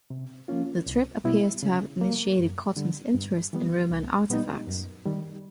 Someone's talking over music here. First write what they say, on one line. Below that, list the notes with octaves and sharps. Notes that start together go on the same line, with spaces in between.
The trip appears to have initiated Cotton's interest in Roman artefacts.
C3
F3 A#3 C#4 F4
C2
B2 G3 B3 E4
C#3
F#3 A#3
F#2
D3 G3
G2
E3 G3 B3
C2
A#2 G3 B3 D#4
F#2
D#3 G3